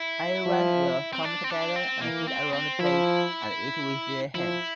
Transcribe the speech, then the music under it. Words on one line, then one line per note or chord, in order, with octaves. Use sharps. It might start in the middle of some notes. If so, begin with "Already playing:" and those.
Everyone will come together and sit around the plate and eat with their hands.
Already playing: E4
F3
C4
D4
C4
D4
C4
E3 A#3
C4
C4
F3 E4
F3 E4